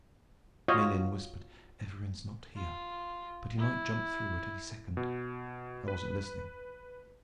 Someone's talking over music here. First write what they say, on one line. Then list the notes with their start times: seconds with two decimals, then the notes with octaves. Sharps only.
Miellyn whispered, "Evarin's not here, but he might jump through at any second." I wasn't listening.
0.68 F4 F#4 C#5 D#5 F5
2.56 F4
3.58 E4
4.97 B2
5.88 B4